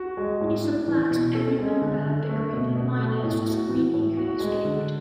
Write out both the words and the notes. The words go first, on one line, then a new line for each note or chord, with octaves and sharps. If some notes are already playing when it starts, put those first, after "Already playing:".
He suplexed every member of the group minus Sweeney who escaped.
Already playing: F#4
G#3
A2
D4
E3
B2
A4
G#3
D3
D3
A3
B2
B2
A3
A2
F#4
E3
A2
F#4
G#3
D3